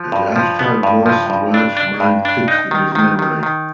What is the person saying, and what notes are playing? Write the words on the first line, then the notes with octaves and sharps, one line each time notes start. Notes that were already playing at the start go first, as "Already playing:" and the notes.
And the agitated voice and words remained fixed in his memory.
Already playing: F3
G2
F3
B3
G2
F3
G2
D4
D4
G2
D4
D#4
D#3
D#3
D#3
D#3